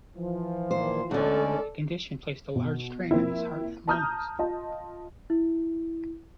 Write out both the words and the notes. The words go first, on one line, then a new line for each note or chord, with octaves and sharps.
The condition placed a large strain on his heart and lungs.
E3 F3
A#2 D#3 A#3 C5
D2 D3 G#3 C#4 A4 D5
B2
F3 A#3 C4 E4
A5 A#5 D#6 F6 G6
F4 D#5 A5
E4